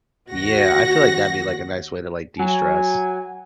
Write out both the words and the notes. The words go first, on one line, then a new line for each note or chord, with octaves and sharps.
Yeah, I feel like that'd be, like, a nice way to, like, de-stress.
D#2 F#4 F#5 A#6
F#3 G#5